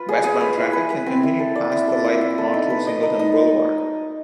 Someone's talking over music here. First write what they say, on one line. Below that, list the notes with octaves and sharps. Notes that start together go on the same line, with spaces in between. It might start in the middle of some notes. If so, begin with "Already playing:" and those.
Westbound traffic can continue past the light onto Singleton Boulevard.
Already playing: F4 B4
G#4
G#4
B4
E4
B4
B4
C4
E4
A4
D5
E4
A4
E4
E4
A4
D#4
B4
D#5
D#4
D#4